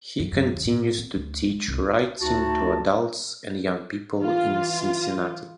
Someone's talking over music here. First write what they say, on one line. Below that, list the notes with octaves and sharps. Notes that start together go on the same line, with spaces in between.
He continues to teach writing to adults and young people in Cincinnati.
F#2
F#2
D#2
A2
C4
D2
G#3
C2
D2 D#4 F#4 A5
E3 F4